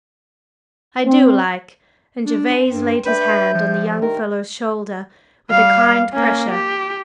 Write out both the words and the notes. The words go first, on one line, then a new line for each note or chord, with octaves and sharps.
"I do like!" and Gervase laid his hand on the young fellow's shoulder with a kind pressure.
C4
D4
C5 G#5
G2 G5
D4 G4 B4 E5 G6
F3
D#3 A#4
G3 F5
A#3 C#4
G4